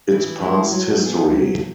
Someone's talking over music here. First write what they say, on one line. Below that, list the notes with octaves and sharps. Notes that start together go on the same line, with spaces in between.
It's past history.
E3
G#3 E4 G#4
F#3
B3 G#4
F#3